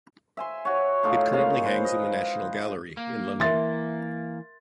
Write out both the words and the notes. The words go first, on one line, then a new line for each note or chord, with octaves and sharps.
It currently hangs in the National Gallery in London.
E5 G#5 C6
F#4 C#5
A2 D#4 F4 A4
G#3 A#3 C#4 F5
B4 C5
D#5
A#3
E3 A#4 E5 C6 A6